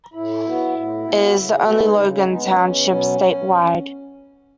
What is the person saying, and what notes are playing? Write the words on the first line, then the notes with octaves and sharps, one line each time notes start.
It is the only Logan Township statewide.
A2 E4
F#3 B3
A2
F#3 B3
F#4
C#3 E4
G#4
G#3 B3 F#4
D#4
C#3 D#4
C#4
G#3 B3 D#4
C#4
E2
B2 F#3 B3